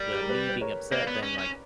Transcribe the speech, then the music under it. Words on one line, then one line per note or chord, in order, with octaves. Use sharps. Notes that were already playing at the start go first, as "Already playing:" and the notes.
the me-being-upset thing, like,
Already playing: G3 A#4
G4
A#4
G4 B4
B4
A#4 C#5
A#3 B4 D5
B3
C#4
C#4